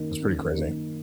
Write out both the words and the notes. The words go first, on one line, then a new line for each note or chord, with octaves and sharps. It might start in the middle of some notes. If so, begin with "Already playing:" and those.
It's pretty crazy.
Already playing: F#2 D#3 A#3 D#4
F#2
D#3 A#3 D#4